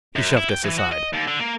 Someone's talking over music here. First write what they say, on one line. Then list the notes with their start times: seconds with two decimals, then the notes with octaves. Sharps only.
He shoved us aside.
0.16 F#2
0.37 E4
0.50 G5
0.64 E3
0.78 F#4
0.92 D#5
1.13 D#2
1.28 D3
1.40 A#3